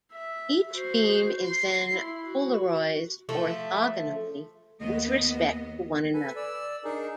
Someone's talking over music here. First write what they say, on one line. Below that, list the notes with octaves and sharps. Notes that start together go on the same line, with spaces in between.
Each beam is then polarized orthogonally with respect to one another.
E5
F#4 C5
C6
E4
F#4
F3 A3 A4
D#2 A#3 B3 D#5
A4 B4 G#5
D5 E6
D4 D#4 G#4 A#4